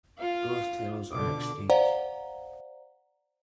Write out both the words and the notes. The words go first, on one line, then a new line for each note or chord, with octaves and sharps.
Both titles are extinct.
F4 F5
B2 D3 D6
C5 D5 F5 F#5 A#5